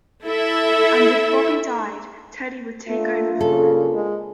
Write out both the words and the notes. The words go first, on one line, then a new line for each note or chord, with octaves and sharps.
And if Bobby died, Teddy would take over for him.
E4 A4 E5
A3 A#3 D4 F4
C#3 A4
G#3